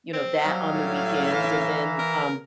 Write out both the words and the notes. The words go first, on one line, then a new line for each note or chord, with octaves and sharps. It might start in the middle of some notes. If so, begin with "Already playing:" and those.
you know, that on the weekends, and then, um
C4
F#3 G3 F5
A2
E3 E5 A#5
A#4